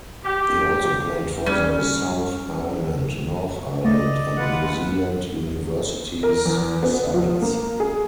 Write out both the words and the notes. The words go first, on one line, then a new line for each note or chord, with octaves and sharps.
He also played for the South Island, North Island, and New Zealand Universities sides.
G4
G3 C#4
A3 D5 D#5
G#3 F4 B4 F#5
A#4
E2
B3
F3
A#3
G#4